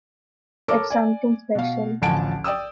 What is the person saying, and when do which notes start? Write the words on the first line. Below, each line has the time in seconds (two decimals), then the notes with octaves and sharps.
It's something special.
0.68 A4 A#4 C#5 D6
0.90 D5 G#5
1.55 B2 F5
2.02 A1 D2 F3 G#5 A5 D7
2.44 D5 G5 D#6 E6